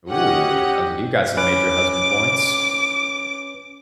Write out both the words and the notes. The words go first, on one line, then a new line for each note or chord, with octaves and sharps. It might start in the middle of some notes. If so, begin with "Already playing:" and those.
Oh, sounds like you got some major husband points.
C#4 G4 D#5 F#5
C#4 B4 D6